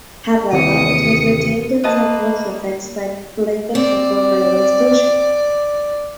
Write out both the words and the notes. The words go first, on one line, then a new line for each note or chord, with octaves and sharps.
However, it has retained its "Central" suffix, like Lincoln Central railway station.
D#2 C3 E3 D#6 C#7
A#3 B4 D#5 A5
C4 D5